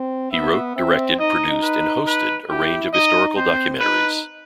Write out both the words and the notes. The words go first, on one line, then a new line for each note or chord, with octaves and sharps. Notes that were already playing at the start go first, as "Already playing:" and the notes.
He wrote, directed, produced and hosted a range of historical documentaries.
Already playing: C4
B3 E5
C4 E5
D#4 D#5
B4
B4
E4 G4
D#4 D#5
C4 C5
D#4 B4